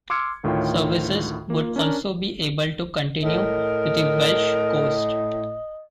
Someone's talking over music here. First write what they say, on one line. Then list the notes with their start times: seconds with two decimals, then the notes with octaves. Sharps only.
Services would also be able to continue to the Welsh coast.
0.10 C6 D6 E6 F6 G#6 C#7
0.44 D2 A2 D#3 F4 C#5 G5
1.50 A#3 F4
1.76 C#4 D4 A#4
3.23 A2 A#4 D#5